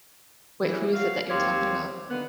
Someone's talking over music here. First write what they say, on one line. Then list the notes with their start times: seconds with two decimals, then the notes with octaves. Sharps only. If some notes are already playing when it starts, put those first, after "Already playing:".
Wait, who is it that you're talking about?
0.61 E3
0.94 F#4 F5
1.29 D#2 C4 G4 C#5 F5
2.10 D3 D#3 A#3 B3